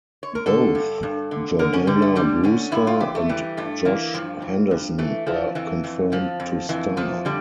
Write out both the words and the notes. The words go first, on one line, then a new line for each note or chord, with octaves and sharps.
Both Jordana Brewster and Josh Henderson were confirmed to star.
C#5
A#4
D3 A4
G2
G2
D3
D3 A#4
C#4
D3 G3
A3
D3 G3
D3 C#4
G2 E4
F4
E3 G4
A3
E3 G3
G2 A3
E3 A#3
G2 F3
E3
G2
E3 A3
E3 F3
F2 E3
F2
F2 F3
F2
F2 E3
E3 F3
D3 G3